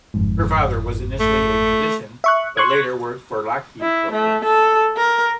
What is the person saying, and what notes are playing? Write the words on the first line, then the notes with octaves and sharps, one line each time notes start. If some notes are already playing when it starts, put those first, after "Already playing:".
Her father was initially a musician but later worked for Lockheed Corporation.
G1 F2 G#2
A3
E5 C#6 F#6
C6 C#6 F#6 G#6
E4
A3
A4
A#4